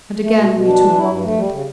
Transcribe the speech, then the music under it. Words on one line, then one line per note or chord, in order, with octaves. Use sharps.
And again we two wandered.
A3
B2
B2
D4
E3
E4
G2
A3
G3
C#3